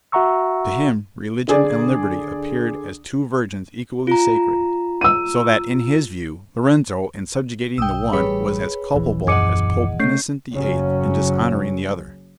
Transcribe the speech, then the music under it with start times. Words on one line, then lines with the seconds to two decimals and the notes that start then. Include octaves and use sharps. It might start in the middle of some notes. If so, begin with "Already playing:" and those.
To him religion and liberty appeared as two virgins equally sacred; so that, in his view, Lorenzo in subjugating the one was as culpable as Pope Innocent VIII in dishonouring the other.
0.12 F#4 E5 F#5 A#5 C#6 E6
1.48 D3 G#4 D5
4.07 F4 A#5
5.01 E6 D#7
7.78 B1 G5 D#6 E6
8.13 A1 G3 G#4 B4 C#5 B5
8.94 D#1 A#1 E3
9.27 F#2 G#4 D#5 F#5 D6 C#7
10.00 C#3 A3 C#4 G6 C7
10.53 F#1 C#3 F#3 C#4